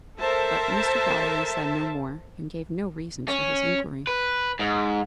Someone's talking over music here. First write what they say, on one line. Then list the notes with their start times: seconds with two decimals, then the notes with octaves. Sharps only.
But Mr. Galloway said no more, and gave no reason for his inquiry.
0.19 A4 A#4 C5 E5 A5
3.28 C#4
4.07 B4
4.59 G#2